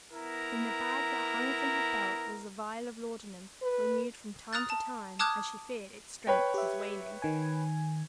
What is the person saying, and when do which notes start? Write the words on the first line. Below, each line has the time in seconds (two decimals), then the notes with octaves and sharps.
In the bag that hung from her belt was a vial of laudanum, renewed from time to time as she feared its strength was waning.
0.13 B3 E4 A#4 A#5
3.62 B4
4.53 A#5 D#6 F6 F#6 A6
4.70 A5
5.19 A5 D6 D#6 F6 F#6 G#6
6.27 B4 C#5 G5
6.54 G4 E5
7.22 D#3 G#5